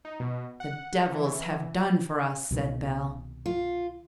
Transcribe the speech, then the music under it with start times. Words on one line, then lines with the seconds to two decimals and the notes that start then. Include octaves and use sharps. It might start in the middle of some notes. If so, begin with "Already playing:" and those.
"The devils have done for us!" said Bell.
0.05 D#4
0.20 B2
0.60 F#5
1.12 E3
2.51 C2 B2 D#3
3.46 F4